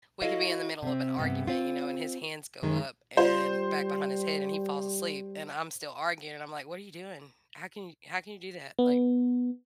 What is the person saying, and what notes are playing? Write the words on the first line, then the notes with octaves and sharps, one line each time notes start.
we could be in the middle of an argument, you know, and his hands go up and back behind his head and he falls asleep and I'm still arguing. I'm like, "What are you doing? How can you how can you do that?" Like,
E4 F#4 A4 C#5 D#5 F5
C3 C4
G2 C3 B3
C4 F4
F#2 D#3 G#3
G3 F4 C5 D5
B3